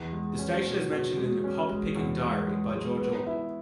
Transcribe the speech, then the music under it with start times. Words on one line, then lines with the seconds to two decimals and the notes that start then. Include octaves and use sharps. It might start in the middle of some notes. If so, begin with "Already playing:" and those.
The station is mentioned in 'Hop Picking Diary' by George Orwell.
Already playing: E2
0.13 G#3
0.39 C#4
0.65 B2
0.90 B2
1.16 G#3
1.44 C#4
1.69 G#3
1.95 E2
2.21 G#3
2.48 G#3
2.75 G#3
3.00 B3
3.26 E4